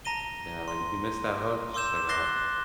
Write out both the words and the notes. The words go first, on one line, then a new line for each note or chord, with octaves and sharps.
Yeah, like, if you miss that hook, it's just like, "Oh,
A5 A#5 A#6 D#7 G7
C6
C6 D6 E6 G6 E7
D6 F#6 A6 A#6 C7 G7